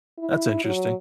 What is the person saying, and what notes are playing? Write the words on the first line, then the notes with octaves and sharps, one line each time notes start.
That's interesting.
E4
F#3